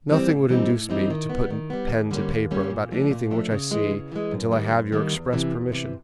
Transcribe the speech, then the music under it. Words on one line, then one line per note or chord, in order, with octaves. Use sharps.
Nothing would induce me to put pen to paper about anything which I see until I have your express permission.
E3 G3 C4
A2
E3 G3 C4 D#4
A2
E3 G3 C4 D#4
D#3
G3 B3
D#3
G3 B3
D#2
D3 G3 A#3 C#4
D#2
D3 G3 A#3 C#4
A#2
F3 A3 D4
A#2
F3 A3 D4
C#3
E3 G#3
C#3
E3 G#3
F#2
D#3 G3 A#3
F#2
D#3 G3 A#3
E2
C3 E3
E2
C3 E3